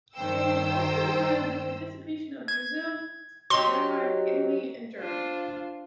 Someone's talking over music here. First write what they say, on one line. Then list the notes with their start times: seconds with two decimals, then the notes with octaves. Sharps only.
It has also included the participation of Brazil, Denmark, Italy and Germany.
0.15 G2 D#3 C5 G5 E6
2.48 G#6
3.50 F#3 D#4 G4 C6
4.98 D4 F4 C5